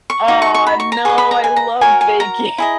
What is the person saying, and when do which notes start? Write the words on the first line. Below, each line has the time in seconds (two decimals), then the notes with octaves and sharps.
Aw, no, I love baking.
0.10 C#6
0.28 D#4 F#4
0.42 C#6
0.55 C#6
0.67 B5
0.80 C#6
0.92 A#5
1.05 G#4 B4 D#5 C#6
1.18 B5
1.31 A#5
1.44 G#5
1.56 A#5
1.81 F#4 A#4 C#5 G#5
2.01 G#5
2.20 A#5
2.58 E4 G#4 D#5